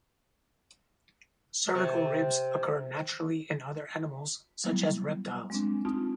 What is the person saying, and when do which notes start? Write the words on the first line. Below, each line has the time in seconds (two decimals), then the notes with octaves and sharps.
Cervical ribs occur naturally in other animals such as reptiles.
1.75 C3 C4 A5 C#6
4.64 F#3 G3 A#3 B3 E4
5.50 G#3 C4 D4
5.85 C4 D#4 F4 A5 D#6